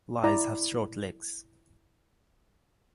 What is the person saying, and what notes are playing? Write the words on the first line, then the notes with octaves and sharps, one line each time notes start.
Lies have short legs.
E4 D5 A#5